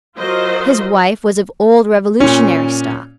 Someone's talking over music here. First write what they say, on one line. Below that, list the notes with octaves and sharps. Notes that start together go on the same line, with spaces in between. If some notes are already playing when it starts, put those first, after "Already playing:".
His wife was of old Revolutionary stock.
F#3 F4 A#4 C5 D#5
A#2 C#4